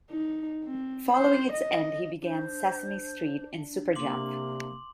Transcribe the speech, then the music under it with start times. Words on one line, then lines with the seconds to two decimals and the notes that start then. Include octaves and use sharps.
Following its end, he began "Sesame Street" in "Super Jump".
0.10 D#4
0.63 C4
1.12 C5
1.53 D#5
2.22 D4 C5
3.95 C3 A#3 C6 D6 F#7